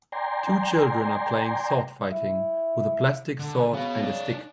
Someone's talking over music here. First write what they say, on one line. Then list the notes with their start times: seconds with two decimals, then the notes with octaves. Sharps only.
Two children are playing sword fighting with a plastic sword and a stick.
0.12 D5 G5 G#5 A#5 C6
2.12 E4
3.39 D3
3.74 C#3 B3 F#4
4.03 D#4 D5